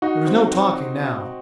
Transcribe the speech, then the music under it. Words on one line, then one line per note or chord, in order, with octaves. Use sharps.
There was no talking now.
D#4 F#4
C4
C4